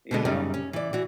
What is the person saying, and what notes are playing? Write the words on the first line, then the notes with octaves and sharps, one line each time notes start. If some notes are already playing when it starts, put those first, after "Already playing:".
you know?
B2 D3 G#3
F#2 C#3 G3 D#4
C#4
E3 D5
E3 F#4